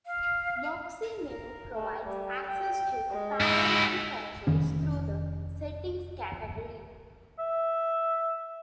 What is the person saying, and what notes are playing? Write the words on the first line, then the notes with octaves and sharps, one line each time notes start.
Moxi Menu provides access to parental controls through the settings category.
F5
A#4
A3
G3
G5
G#3
G#2 E4
F1 D#3 C#4
E5